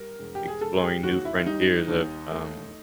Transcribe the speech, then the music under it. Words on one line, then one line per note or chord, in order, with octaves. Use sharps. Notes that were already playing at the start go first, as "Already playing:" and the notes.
exploring new frontiers of, um
Already playing: G3 A#4
E1
G4
G#4
E1 A4
G#4
G4
D#2 F#4
E4
G3 D#4
D#2
A3